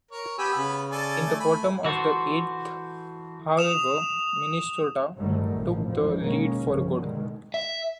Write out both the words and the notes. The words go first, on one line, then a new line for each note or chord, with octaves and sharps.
In the bottom of the eighth, however, Minnesota took the lead for good.
A#4 C#5
B3 G4 G#5 B5 E6
C#3
A4 D5 G#5
A3
G#5 B5
E3 F#4 A4 C5
D#6 E7 F7
G1 G2 D#3 F#3 G3 A3
A1 A#2 C#3 F3 A3
G#1 F2 E3 F3 G3
B2 D#3 G#3 A#3 C#4
G1 C2 C#3 F3 C#4
B2 D3 D#3 G#3
E5